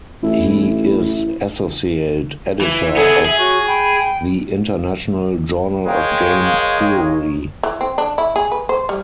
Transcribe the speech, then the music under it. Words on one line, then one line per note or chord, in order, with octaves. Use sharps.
He is associate editor of "the International Journal of Game Theory".
A1 E4
E3 E5
B3 G#4 A4
G#4 E5
F#4 C#5 C#6 F#6
G5 B5
G#3 A#4 C#5 D#5 F5 G5
E3
C4
D4
E4
G#4
B4
C5
G3